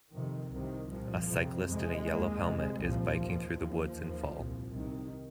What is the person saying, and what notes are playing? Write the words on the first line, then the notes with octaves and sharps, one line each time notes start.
A cyclist in a yellow helmet is biking through the woods in fall.
F2 C3 D#3
C2 C3 D#3
C2 A#2 F3
F2 C3
F2 C3 G#3
D#2
F2 C3
C2 A#2 F3
D#2
D#2 F3
D#2
C2 A#2
C2 C3 D#3